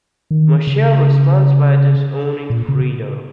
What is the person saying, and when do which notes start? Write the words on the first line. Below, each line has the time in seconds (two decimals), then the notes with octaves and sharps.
Michael responds by disowning Fredo.
0.31 D#3
0.67 C#3
2.50 A#2
2.68 C#3